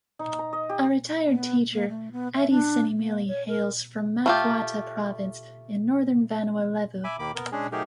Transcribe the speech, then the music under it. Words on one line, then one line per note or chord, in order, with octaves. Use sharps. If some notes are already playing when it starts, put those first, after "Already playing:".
A retired teacher, Adi Senimili hails from Macuata Province in northern Vanua Levu.
D#4
A#5
D#5
G4
B3
A#3
A3
B3
E5
D4
A#3
C#5
A#4
A3 F4 G4
E5 G#5 B5 D6
D#2 D#3 A#3 B5 D6
B3 A#4
G#3 C#4 D4 G#4
F#3 A3 D#4 G4 G#4 A#4